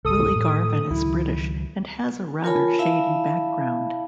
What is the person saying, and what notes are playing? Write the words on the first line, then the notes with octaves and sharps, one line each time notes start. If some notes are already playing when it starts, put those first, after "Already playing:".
Willie Garvin is British and has a rather shady background.
G#1 C#2 A4 D#6 D#7
A2 G#3 A3
C#2 D#3 F#3 E4
F4 A#4 C#5 G#5 A5 B5
E4 E5 F5 A5 B5